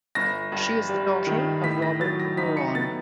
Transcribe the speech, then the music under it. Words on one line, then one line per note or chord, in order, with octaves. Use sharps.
She is the daughter of Robert Buron.
G1 A#6
G2
G3
D#3
A2 B6
A#6
F#3 A6
A#6
D#4 B6
C#7
B3 A6